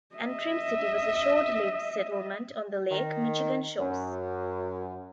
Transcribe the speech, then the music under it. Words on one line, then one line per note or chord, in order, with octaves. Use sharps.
Antrim City was a short-lived settlement on the Lake Michigan shores.
D#5 E5
D#3
F#2